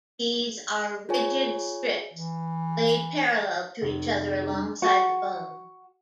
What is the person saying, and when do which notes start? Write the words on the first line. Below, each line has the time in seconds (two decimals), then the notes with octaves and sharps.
These are rigid strips laid parallel to each other alongside the bone.
1.09 F4 G#4 C#5 G#5
2.14 E3
3.82 F1
4.06 G#4
4.46 G3 D4 A#5
4.82 F#4 F#5